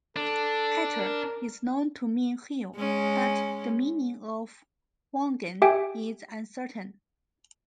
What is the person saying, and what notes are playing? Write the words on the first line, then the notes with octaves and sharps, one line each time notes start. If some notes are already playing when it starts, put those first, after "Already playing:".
"Katta" is known to mean "hill", but the meaning of "wongan" is uncertain.
D4 A4
A#4
G#3 C#4
G4 E5 G5 G#5